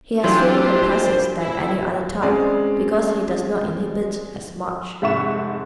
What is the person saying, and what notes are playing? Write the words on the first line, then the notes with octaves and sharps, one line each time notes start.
He has fewer complexes than any other type because he does not inhibit as much.
E3 F#3 D4 F4 G4 C5
E4
G#3 C4 C#4 G#4 D5
F1 G#2 E5 F#5 C#6 E7